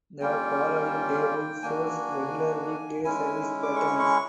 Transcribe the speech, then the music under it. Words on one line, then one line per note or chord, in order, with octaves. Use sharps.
The following table shows regular weekday service patterns.
G3 A#3 C#4 F4 G5
A#3 D4 F#4 G#5
G#3 C#4 E4 G#5
D6
C#6
C#6